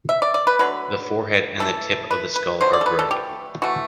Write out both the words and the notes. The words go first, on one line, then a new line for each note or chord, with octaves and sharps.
The forehead and the tip of the skull are grey.
E5
D5
D5
B4
D3 F#3 A3 B4
E3 A3 A4
B4
B4
D3 F#3 A3 C5
D5
A4
B4
A4
G4
E3 A3 F#4